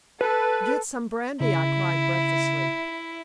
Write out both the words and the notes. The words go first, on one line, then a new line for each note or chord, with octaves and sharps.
"Get some brandy!" I cried, breathlessly.
A4 B4
C#3 E4